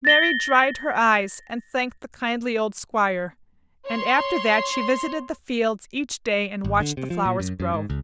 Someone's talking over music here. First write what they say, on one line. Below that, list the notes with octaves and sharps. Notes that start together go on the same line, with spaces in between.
Mary dried her eyes and thanked the kindly old Squire, and after that she visited the fields each day and watched the flowers grow.
A6 A#6 G7
C#5 C6
G#1
D3
C3
F3
A#2
F#2
F#2
G#2
C#2